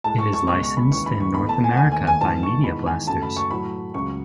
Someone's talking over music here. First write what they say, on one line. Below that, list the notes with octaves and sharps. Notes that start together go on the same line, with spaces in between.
It is licensed in North America by Media Blasters.
A2 G#3 A5
C#6
C#6
C#2 B2 G#3 C#6
C#6
B5
D#2 C#3 E3 G#3 C#6
B5
C#6
E2 B2 A3 B5
A5
G#5
F#5
D#2 D#3 A3 G#5
G#5
G#5
G#2 E3 A3 A5
C#6
E2 D#3 G#3 B5
G#5
F#2 C#3 F#3 A3 A5
B5
C#6
A2 F#3 A3 B5
C#2 C#3 F#3 C#6